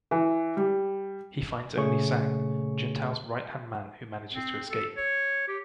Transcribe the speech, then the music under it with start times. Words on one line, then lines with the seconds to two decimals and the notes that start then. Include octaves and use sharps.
He finds only Sang, Juntao's right-hand man, who manages to escape.
0.11 E3
0.57 G3
1.76 A#2 C#3 A3 G#4 C#5 C#6
4.33 C4
4.69 A4
4.97 C#5
5.48 G4